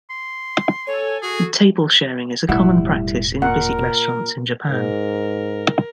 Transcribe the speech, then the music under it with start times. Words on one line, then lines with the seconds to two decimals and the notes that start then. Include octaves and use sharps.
Table sharing is a common practice in busy restaurants in Japan.
0.10 C6
0.87 A4 C#5 G#5
1.22 F#4 G#4
2.49 E1 A2 G3 E4 F#5
3.42 A#2 A#4 F#5
4.69 G#2 A#4